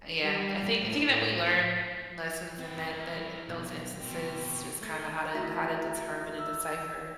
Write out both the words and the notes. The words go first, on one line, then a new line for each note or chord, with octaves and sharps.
uh, yeah, I think I think that we learn lessons in that that those instances, just kinda how to how to determine and decipher
G3
A2
C4 B4
E4 A#4
B1
B2 C4
A3
A3 E4 F#4 E5 A#5 B6
E6